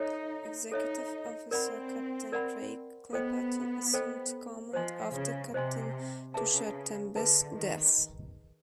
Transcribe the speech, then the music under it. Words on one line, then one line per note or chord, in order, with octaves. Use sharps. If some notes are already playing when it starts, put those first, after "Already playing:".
Executive Officer Captain Craig Clapperton assumed command after Captain Tushar Tembe's death.
Already playing: D#4 A4 C#5 E5
D#4 A4 C#5 E5
C4 A#4 D5 F#5 B5
A#4 D5 F#5 B5
B3 A4 C5 D#5 G5
A4 C5 D#5 G5
F3 C5 D#5 G#5 C6
C#3
C3 C5 D#5 G#5 C6
C#3 G#4 B4 E5 A5
D3 G#4 B4 E5 A5
D#3